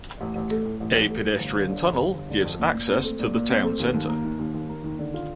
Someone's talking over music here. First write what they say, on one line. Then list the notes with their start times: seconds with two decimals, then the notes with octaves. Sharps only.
A pedestrian tunnel gives access to the town centre.
0.21 A1
0.36 A1
0.51 A3
0.65 A2
0.80 A1
0.95 A1
1.10 A3
1.25 A2
1.40 G1
1.55 G1
1.70 D3
1.85 F2
2.00 G1
2.15 G1
2.30 D3
2.44 F2
2.59 A#2
2.75 A#2
2.90 C4
3.04 A3
3.19 A#2
3.34 A#2
3.49 C4
3.64 A3
3.79 D#2
3.94 D#2
4.09 A#3
4.25 D#3
4.39 D#2
4.54 D#2
4.69 A#3
4.84 D#3
4.99 D3
5.14 F4